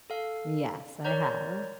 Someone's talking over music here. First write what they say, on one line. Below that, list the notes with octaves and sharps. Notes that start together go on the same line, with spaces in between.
Yes, I have.
A4 F5
A#4 C#5 D5 A#5 G6